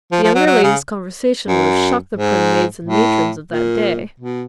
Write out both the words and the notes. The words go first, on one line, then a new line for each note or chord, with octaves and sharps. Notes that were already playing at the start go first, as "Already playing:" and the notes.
The younger lady's conversation would have shocked the prim maids and matrons of that day.
F3
F3
F#3
F#3
C#3
F#2
G#2
A2
A#2
B2